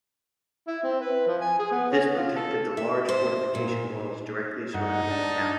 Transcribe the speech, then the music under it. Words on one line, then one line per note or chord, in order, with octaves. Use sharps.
This protected the large fortification walls directly surrounding the town.
E4
C4
B4
F3
G#5
G#4
B3
C#4
B3
F4
A4
E5
C5
A#2
G2 D#4 F#5
D4 A5